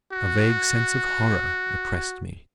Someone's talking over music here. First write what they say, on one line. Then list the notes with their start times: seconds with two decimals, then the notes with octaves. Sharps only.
A vague sense of horror oppressed me.
0.12 F#4